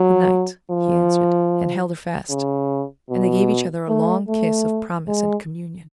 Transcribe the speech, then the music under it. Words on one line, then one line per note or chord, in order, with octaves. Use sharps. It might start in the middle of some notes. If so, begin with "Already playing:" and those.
"Good night," he answered, and held her fast; and they gave each other a long kiss of promise and communion.
Already playing: F#3
F3
C#3
B2
A3
A3
G#3